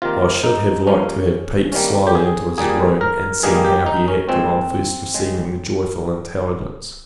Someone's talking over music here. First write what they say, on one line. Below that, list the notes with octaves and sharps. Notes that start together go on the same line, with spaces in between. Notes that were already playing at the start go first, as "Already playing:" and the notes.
I should have liked to have peeped slyly into his room, and seen how he acted on first receiving the joyful intelligence.
C3 D#3 A#3 F4
D#4
G2 F3 A#3 C#4
C3 D#3 G3 A#3 C#4
G4
G#4
A#2 G3 A#3 G#4
A#4
G2 D#3 G3 A#3 G#4
G4
D#4
C#4
A#2 F3 G#3 C4
C#3 G#3